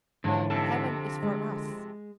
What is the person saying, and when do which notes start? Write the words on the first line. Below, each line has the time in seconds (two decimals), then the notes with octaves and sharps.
Heaven is for us!
0.24 G#2 D3 E3 F3 C#5
0.50 F2 C3 A4
1.23 G#3